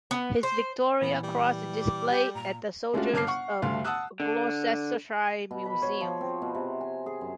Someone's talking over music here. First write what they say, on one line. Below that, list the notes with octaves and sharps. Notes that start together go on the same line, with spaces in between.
His Victoria Cross is displayed at the Soldiers of Gloucestershire Museum.
B3
C5
A#2 E3 B3 B4
G3
D6
G4
A#2 A#5
G#3 A3 C#4 D4 F4 F#4
G1 A5 D6 F6 C7
F#5 C#6
D2 G2 A3 F5 C6
F#5 A5 D#6 E6 F#6
D3
B2
B5
C#5
F3
C4
B2
C3
G#5
G#4
F#2